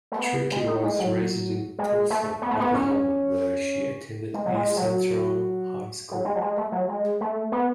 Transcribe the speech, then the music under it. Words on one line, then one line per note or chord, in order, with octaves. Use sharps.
Trickey was raised in Tulsa, Oklahoma, where she attended East Central High School.
A3
B3
G#3
D#4
G#3
F#3
G#3
A3
B3
A3
B3
C#4
G#3
F#3
G#3
F#3
F#3
G#3
F#3
G#3
A3
F#3
G#3
A3
B3